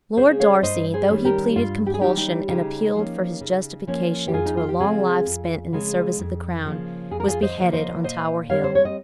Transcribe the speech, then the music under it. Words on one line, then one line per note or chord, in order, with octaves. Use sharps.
Lord Darcy, though he pleaded compulsion, and appealed for his justification to a long life spent in the service of the crown, was beheaded on Tower Hill.
C#3 G#3 C#4 G#4 C5
C#5 F5
G2 C5 D#5
G#4 C5
D#3 G3 C#4
G4 A#4
G2 F4
G4
G#4
D#3 G3 C#4 D#4 G4
D#4 G4
C#3 D#4 G4
F3 A#3 C#4
C#3
F3 A#3 C#4
G4
F2 F4 G#4
D#4
F4
G4
C#3 F3 G#3 C4 F4 G#4
F2
C#3 F3 G#3 C4
F2
C#3 F3 A#3
F2 G#4
A#4
F4 G#4
C5 D#5
C#3 F3 A#3
C5 D#5
A#2 C5 D#5
G3 C4 C#5 F5
C5
C#5
D#5